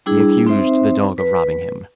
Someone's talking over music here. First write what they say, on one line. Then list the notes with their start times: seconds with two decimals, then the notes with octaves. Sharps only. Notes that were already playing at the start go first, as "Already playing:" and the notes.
He accused the dog of robbing him.
0.06 G3 D4 E4 G#4
0.47 C4 D#4 C5 E5
1.18 B4